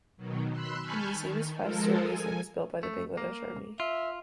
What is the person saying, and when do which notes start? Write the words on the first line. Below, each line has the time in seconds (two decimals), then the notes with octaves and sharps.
The museum is five storeys and was built by the Bangladesh Army.
0.17 B2 D#3 F#3
0.51 B5 C6 E6 F#6
0.82 G#5 A5 B5 C#6 F6 G6
1.12 D#3
1.56 F3 G#3 A4 A#4
1.98 G#5
2.83 A3
3.17 A#3
3.80 F4 E5